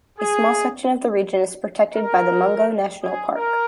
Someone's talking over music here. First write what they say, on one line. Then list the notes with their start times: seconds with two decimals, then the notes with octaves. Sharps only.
A small section of the region is protected by the Mungo National Park.
0.18 G#4
1.94 A#4
3.02 G#4
3.36 A#4